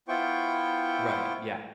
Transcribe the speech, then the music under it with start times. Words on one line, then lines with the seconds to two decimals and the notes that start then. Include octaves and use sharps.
Right, yeah.
0.08 B3 E4 F4 C5 G5 C#6